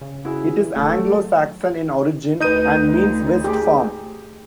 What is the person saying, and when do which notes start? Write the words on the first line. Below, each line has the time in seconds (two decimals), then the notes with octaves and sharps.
It is Anglo Saxon in origin and means 'west farm'.
0.01 C#3
0.25 E4 F#4 G#4
0.60 E3
0.76 D#1 A3
0.96 F#3
2.41 D2 D#4 B4 D#5 G6 D#7
3.44 G4 G#4